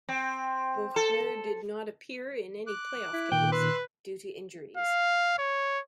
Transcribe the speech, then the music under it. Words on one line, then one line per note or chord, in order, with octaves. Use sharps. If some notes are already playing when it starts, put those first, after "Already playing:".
Boughner did not appear in any playoff games due to injuries.
C4
A4
D6 F#6
E4
A#2 D#3 G5
B4 C6 E6 F#6
F5
C#5